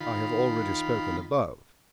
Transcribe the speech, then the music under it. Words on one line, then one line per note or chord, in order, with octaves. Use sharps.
I have already spoken above.
D#3 F4 B5